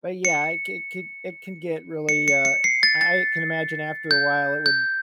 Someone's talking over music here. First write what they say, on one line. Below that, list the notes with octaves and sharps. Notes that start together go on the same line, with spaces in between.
But, yeah, it could could it can get really, uh I I can imagine after a while it would
C#7
C#7
C#7
C#7
C7
A6
A6
G6
G6